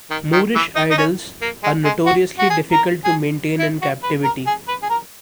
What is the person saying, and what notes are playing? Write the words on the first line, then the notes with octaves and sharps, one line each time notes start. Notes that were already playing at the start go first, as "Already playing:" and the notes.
Moorish idols are notoriously difficult to maintain in captivity.
D#3
D#3
E3
D#4
D#4
C#4
A#3
G#3
G#3
F#4
F#4
G#4
A#4
G#4
E4
F#4
B4
A#4
G#4
B4
G#4
A#4